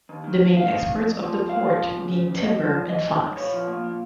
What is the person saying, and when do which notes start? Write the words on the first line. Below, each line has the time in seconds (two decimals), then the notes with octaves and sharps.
The main exports of the port being timber and flax.
0.09 D#2
0.24 D#3
0.40 D#2
0.56 F2 F5
0.71 D#3
0.87 F2
1.03 F2
1.18 F3
1.33 F2
1.49 F#2 F5
1.65 F3
1.80 F#2
1.95 C#2
2.11 C#3
2.27 C#2
2.42 F#2 D#5
2.58 F3
2.75 F#2
2.89 F#2 D#5
3.06 D#3
3.21 F#2
3.37 A#2 C#5
3.52 F3
3.68 A#2
3.84 A#2